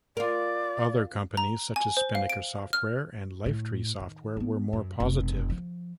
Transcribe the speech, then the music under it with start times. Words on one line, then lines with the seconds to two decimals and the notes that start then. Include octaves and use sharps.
Other companies such as Spinnaker Software and Lifetree Software were more positive.
0.17 F4 A#4 D5
1.37 A#5
1.76 G#5
1.97 C5
2.15 F5
2.30 D7
2.73 F6
3.46 A2
4.00 D#3
4.37 B3 D4
4.73 F#2
5.00 F1 B1
5.50 F3